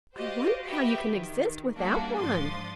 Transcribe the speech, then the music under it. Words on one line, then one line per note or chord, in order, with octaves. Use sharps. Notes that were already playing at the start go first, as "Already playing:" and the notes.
'I wonder how you can exist without one.
F#4 G4 C5 D5 D#5 F5
F#4 G4 B4 D#5 E5 G5
D#3
G3 A#3 C#4 D4 E4 F#4
G#2 F3 D4 C6 D#6 A6